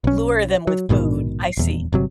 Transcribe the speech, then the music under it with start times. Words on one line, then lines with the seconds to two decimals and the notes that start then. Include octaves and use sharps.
Lure them with food, I see.
0.04 B1 C#4
0.67 F#3
0.89 A#1 G#2 B2 D#3
1.57 D#1 E2
1.93 G1 C3 F#3